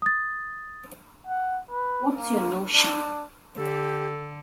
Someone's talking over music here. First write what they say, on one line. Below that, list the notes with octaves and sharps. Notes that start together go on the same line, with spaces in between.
What's your notion?
D#6 A6
F#5
B4
A#3
D4
D3 G4 A4